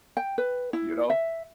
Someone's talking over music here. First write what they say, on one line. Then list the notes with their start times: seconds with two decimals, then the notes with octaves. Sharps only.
you know?
0.17 G5
0.38 B4
0.73 E4
1.10 E5